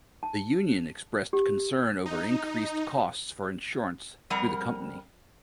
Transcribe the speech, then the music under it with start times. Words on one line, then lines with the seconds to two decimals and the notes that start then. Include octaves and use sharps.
The union expressed concern over increased costs for insurance through the company.
0.23 A5
1.33 G4
2.06 D#4
4.30 F2 G3 A#4 F#5 A#5